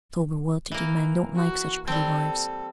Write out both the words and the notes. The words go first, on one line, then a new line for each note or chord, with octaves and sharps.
Sober well-to-do men don't like such pretty wives.
E3 A#3
F#4
G3 C4 A4